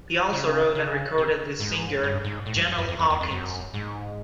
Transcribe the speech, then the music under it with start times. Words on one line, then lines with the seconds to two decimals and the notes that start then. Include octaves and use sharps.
He also wrote and recorded with singer Jennell Hawkins.
0.33 C#3
0.75 C#3
1.18 C3
1.60 G#2
2.03 G2
2.24 G#2
2.46 A2
2.56 G2
2.67 F#2
2.78 F#2
2.88 F2
2.99 F2
3.10 E2
3.21 F2
3.31 F#2
3.74 G#2